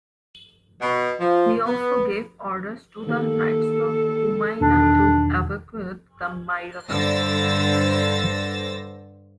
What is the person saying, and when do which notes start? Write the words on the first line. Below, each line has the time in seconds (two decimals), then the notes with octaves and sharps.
He also gave orders to the knights of Cumiana to evacuate the Maira valley.
0.82 B2
1.20 F3
1.65 B3
3.07 D#3 A#3 G4 A4
4.61 E2 B2 D#3 D4
6.88 G2 D3 C5 E6 A6 A#6